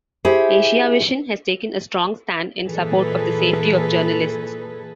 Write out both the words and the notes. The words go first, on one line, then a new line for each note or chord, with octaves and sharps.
Asiavision has taken a strong stand in support of the safety of journalists.
E4 G4 G#4 C5
A#2 E3 G#4 A4 B4